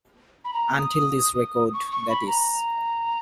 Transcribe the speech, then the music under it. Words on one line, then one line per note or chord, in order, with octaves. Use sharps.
Until this record, that is.
B5
A#5
D#6
C#6
C#6
B5
A#5